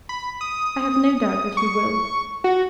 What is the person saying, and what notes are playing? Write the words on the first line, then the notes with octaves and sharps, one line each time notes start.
I have no doubt that he will.
B5
D#6
C#6
F#4